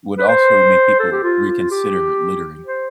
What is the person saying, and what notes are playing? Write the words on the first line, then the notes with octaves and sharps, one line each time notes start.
would also make people reconsider littering
B4
C5
A4
G4
F4
F4
G4
C5